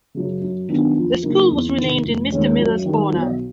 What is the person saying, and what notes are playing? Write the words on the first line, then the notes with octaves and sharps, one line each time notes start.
The school was renamed in Mr. Miller's honor.
F#2 C#3
F#2
D#3 F#3 B3 D4
F2
C#3 F#3 A#3 D#4
E2
C3 D#3
F1
D#2 D#3 G#3 C#4
F#2
D#3 G3
B1